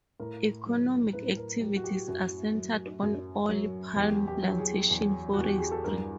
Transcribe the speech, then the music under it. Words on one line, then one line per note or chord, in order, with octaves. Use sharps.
Economic activities are centred on oil palm plantations, forestry.
A2 A#4
F#3
A2 B4
A#4
F#3 G4
F#4
G4
F#2 F#4
F#3
F#2
F#3
E2 G4
G4
F#3
G#4
E2
E2 F#4
G4
G#4
A4
G2 A#4